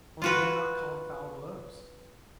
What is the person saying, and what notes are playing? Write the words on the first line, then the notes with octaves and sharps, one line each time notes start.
Only they are not called foul blows.
F4 F#4 B4